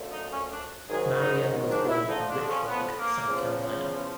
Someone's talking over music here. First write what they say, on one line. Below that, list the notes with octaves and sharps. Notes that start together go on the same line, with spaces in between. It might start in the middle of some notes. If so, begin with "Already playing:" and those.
Marion was born in Richburg, South Carolina.
Already playing: F#2 D3 F3 A3
D#4
C#4
D4
G#2 D#3 F#3 G#4
D#4
D4
E4
F2 D3 F3 D#4
D4
C#4
B3
A#3
E2 C#3 F3